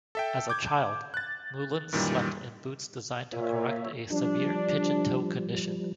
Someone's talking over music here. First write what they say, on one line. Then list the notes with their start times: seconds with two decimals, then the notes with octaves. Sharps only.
As a child, Mullen slept in boots designed to correct a severe pigeon-toe condition.
0.15 A4 E5 G5
0.50 D6 G6 G#6
1.14 F#6 A6
1.93 F#2 A#2 D#3 E3 G3
3.32 A#2 F4 C#5 E5
4.11 F3 G3 D4